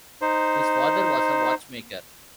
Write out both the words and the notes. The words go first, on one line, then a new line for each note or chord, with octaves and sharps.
His father was a watchmaker.
D#4 C5